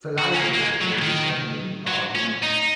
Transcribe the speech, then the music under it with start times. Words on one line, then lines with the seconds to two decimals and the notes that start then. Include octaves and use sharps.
Fallacious or dissembling arguments.
0.19 F#4
0.34 C#4
0.40 A#3
0.54 A#3
0.61 G#3
0.81 F#3
1.02 D#3
1.87 F#3
2.15 C#4
2.43 D#4